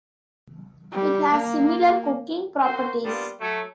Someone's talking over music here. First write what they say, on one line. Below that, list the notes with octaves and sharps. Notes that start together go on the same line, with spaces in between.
It has similar cooking properties.
G3
A#3
A#3 F#4 C5
G3 A#3 B3 D4 F4
F#3 A3